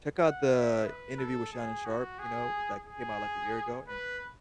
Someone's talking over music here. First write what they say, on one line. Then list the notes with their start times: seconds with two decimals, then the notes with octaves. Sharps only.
check out the interview with Shannon Sharpe, you know, that came out, like, a year ago, and
0.18 F#5
0.52 E5
0.86 B4
1.19 A4
1.53 G#4
1.86 F#4
2.20 G#4
2.87 G#4
3.88 B4